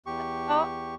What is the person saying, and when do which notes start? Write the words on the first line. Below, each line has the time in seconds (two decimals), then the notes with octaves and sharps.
Uh, oh uh,
0.06 E2 G4 C#6